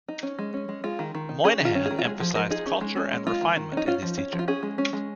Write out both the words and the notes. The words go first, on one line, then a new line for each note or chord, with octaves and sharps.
Moynihan emphasized culture and refinement in his teaching.
D#4
C#4
G#3
C#4
G#3
G#3 F4
D#3
D#3
D#4
C#4 G#4
D#3 F4
C#4
G#4
D#3
F4
G#3 G#4
F3 G#4
F3 A#4
D#4 G#4
C#4
G#3
C#4
G#3
G#3 F4
D#3
D#3
C#4 D#4
C#4 F4
F3
C#4
F3
F4
C#4 G#4
G#3
C#4
G#3